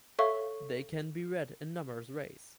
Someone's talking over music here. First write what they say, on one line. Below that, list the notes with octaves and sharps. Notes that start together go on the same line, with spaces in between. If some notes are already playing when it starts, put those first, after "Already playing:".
They can be read in numerous ways.
A4 C#5 E5 F5 C#6